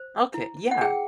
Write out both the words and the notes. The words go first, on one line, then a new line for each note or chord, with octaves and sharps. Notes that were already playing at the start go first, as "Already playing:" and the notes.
Okay, yeah,
Already playing: C5
E4
F#5
G#4 G5